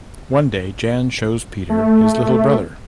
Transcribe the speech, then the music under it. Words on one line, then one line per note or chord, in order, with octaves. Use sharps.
One day Jan shows Peter his little brother.
A3